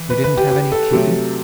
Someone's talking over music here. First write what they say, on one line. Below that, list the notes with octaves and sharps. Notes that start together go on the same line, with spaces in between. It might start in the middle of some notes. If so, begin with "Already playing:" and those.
"You didn't have any key?"
Already playing: E3
B4
B4
G4
G4
A4
C3 F#3 A3